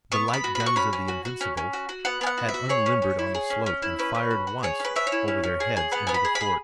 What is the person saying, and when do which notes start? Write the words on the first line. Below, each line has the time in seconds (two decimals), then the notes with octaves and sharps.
The light guns of the Invincibles had unlimbered on the slope, and fired once over their heads into the fort.
0.12 B3 C#6
0.28 B3
0.33 B5
0.44 F#4
0.55 F#4 B5
0.66 C#6
0.76 C#4 B5
0.93 C#4
1.08 F#4
1.25 F#4
1.41 C#4
1.57 C#4
1.73 F#4
1.89 F#4
2.05 B3 F#5
2.21 B3 G#5
2.27 F#5
2.38 F#4
2.49 E5
2.54 F#4
2.69 G#4 C#5
2.86 C#4
3.02 C#4
3.19 E4
3.35 G#4
3.50 C#4
3.66 C#4
3.82 E4
3.99 C#4 B4
4.15 C#4
4.31 F#4
4.47 F#4
4.63 G#4 C#5
4.80 C#4
4.85 B4
4.96 C#4 E5
5.07 C#5
5.12 E4
5.28 C#4
5.43 C#4
5.60 G#4
5.77 G#4
5.92 B3 F#5
6.07 B3 G#5
6.14 B5
6.25 G#4
6.35 B5
6.41 G#4